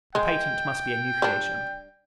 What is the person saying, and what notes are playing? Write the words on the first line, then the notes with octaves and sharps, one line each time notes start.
The patent must be a new creation.
G#3 G5
G3 D4